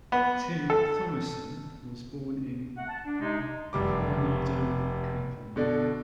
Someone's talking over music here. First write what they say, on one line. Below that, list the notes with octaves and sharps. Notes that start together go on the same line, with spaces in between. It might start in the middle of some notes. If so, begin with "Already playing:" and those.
Tim Thomerson was born in Coronado, California.
B3
A4
A3 F#5
A5
D4
C3 G#3 D#4
F1 G3 D6
B2 D3 D5